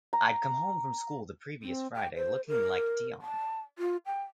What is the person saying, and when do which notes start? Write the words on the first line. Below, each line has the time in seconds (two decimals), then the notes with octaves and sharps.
I'd come home from school the previous Friday looking like Dion.
0.13 A#5
1.62 C4
1.94 G5
2.16 C5
2.48 A#4
3.22 A5
3.79 F4
4.06 G5